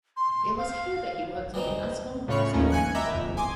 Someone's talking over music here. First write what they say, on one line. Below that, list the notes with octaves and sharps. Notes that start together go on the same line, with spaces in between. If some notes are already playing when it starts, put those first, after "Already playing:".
It was here that he worked on the Ascom office building in Bern.
C6
F5
E3 G3 C4 D#4
A2 C#3 F4 C#5 B5 C#6
D#2 F3 A3 C#4 D#4
G#5 F#6 C#7
D#5 E5 G5 A#5 B5 D6
F2
G#5 C6 D6 D#6